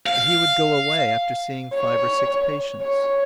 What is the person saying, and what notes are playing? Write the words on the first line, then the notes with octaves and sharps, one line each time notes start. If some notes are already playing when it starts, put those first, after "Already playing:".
And he would go away after seeing five or six patients.
F5
C#5
C#5